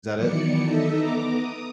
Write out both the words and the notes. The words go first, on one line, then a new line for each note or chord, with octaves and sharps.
Is that it?
D#3 E3 F#3 B3 D5 C#7
D#4 A4 D#5 E5
B3 A#5 D6
D#6